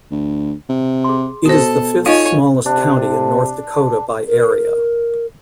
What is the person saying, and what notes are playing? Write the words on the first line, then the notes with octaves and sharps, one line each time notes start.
It is the fifth-smallest county in North Dakota by area.
D2
C3
G#4 C6
B2 F#4 A4 C5
D#4 F4 C#5 D#5 F5 G#5
C3 D4
A#4